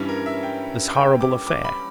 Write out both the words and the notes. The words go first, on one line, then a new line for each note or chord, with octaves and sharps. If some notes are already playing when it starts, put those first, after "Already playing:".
This horrible affair.
Already playing: G2 E3 G3 C#4 C#5
A#4
E5
G5
G5
D6
D6
B5